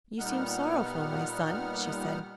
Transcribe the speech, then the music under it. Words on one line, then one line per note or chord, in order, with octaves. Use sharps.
'You seem sorrowful, my son,' she said.
A#2 G3 B3 D#4 F#5 F6